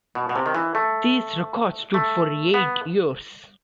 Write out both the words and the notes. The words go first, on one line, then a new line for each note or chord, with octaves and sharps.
These records stood for eight years.
B2
B2
C3
D#3
E3
A3
A3
B3